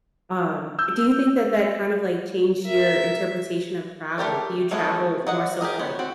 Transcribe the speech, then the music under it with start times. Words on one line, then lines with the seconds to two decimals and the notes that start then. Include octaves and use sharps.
Um, do you think that that kind of like changed your interpretation of travel? Do you travel more so for like-
0.79 E6 G6
2.64 A#4 E5
4.18 A3 G4 A#4 D5
4.71 G#3 A3 B3 C#4
5.27 F#3 D#5 F#5
5.61 G4 G#4 A#4 D#5
5.79 B3 C5 C#5
5.99 C4 F#4